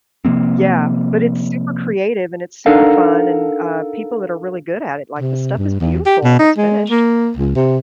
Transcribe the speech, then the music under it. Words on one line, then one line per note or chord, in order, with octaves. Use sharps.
Yeah, but it's super creative and it's super fun and, uh, people that are really good at it, like, the stuff is beautiful when it's finished.
C3 F3 A#3 C4
D4 D#4 A4 A#4 F5 F#5
C3
G2
E2
G4
B2
D#4
G#3
A#3
C#2
C3